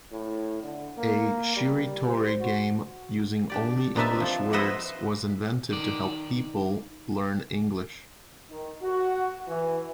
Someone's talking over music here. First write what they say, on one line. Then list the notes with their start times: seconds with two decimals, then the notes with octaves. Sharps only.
A Shiritori game using only English words was invented to help people learn English.
0.12 A2
0.63 D3
0.98 A#3
1.56 G3
2.09 C5
2.40 F#4
3.50 D4 G4 D5
3.95 C4 D4 D#4 B4 E5 A5
4.20 F3
4.53 B4 C5 D#5 E5 F#5
5.71 D#3 D#4 D5
8.50 D#3
8.82 F#4
9.48 E3